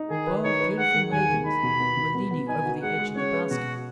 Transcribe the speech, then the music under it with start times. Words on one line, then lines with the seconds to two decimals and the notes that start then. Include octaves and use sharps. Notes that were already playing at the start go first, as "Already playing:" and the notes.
Twelve beautiful maidens were leaning over the edge of the basket.
Already playing: D#4
0.10 D#3 G#4
0.27 B4
0.44 D#4 C#5
0.60 B4
0.78 G#3 F#5
0.94 D#3
1.12 D#2 G#5
1.29 D#2
1.46 D#4 B5
1.63 B2
1.80 B3
1.97 B2
2.15 B3
2.31 B3
2.48 D#4 G#5
2.65 F#4
2.82 G#3 F#5
2.99 G#3
3.16 C#4 C#5
3.34 B4
3.50 B2 F#4